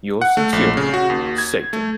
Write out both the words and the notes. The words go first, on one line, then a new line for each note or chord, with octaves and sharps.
Yours sincerely, satan.
F#5
A3
A#1
C#3
F#4
D#2
G#6
A3